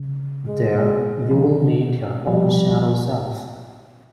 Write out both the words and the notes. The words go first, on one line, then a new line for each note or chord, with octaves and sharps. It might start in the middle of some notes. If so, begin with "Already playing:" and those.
There, you will meet your own shadow self.
Already playing: C#3
G#3
F3
D#3
F3 G3